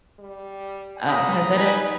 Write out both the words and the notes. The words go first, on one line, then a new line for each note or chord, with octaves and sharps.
um, has that
G3
C#3 A#5 B5 D#6
D#4 B4 G#5